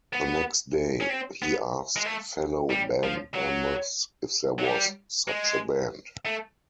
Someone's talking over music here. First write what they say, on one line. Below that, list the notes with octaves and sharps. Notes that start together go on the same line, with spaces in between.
The next day, he asked fellow band members if there was such a band.
B3
C#4
C4
B3
G#3
A3
G3
F3
F#3
F#3
G3
G#3
A3